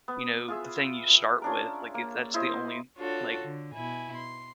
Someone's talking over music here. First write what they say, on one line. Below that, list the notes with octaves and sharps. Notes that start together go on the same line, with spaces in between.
you know, the thing you start with, like, if that's the only, like,
B3
F4 G#4 E5
C#4 D4 A#4
A#3
E4 C5 D#5 C6
D4 F4 F#4 A4 C#5
D3
B2 E4 G#5
C6